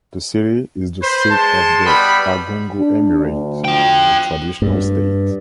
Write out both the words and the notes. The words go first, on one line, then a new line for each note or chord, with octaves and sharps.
The city is the seat of the Argungu Emirate, a traditional state.
B4 C5
G#3 A5 C6
G3 B3 B5
D4
D2
F4 G5
G2